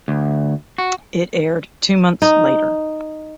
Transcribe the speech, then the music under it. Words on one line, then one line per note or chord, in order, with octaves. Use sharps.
It aired two months later.
D2
F#4
D#4